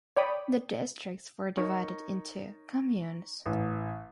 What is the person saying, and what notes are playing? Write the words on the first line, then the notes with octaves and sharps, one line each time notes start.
The districts were divided into "communes".
C#5 D5 G5 B5 D#6
D#4 A#4 C#5
A1